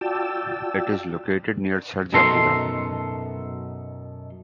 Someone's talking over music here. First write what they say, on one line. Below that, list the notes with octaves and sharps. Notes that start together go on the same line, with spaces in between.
It is located near Sarjapura.
F4 F#4 D5 G5 A5 E6
F#2 B2 D#4 A4 A#5 C6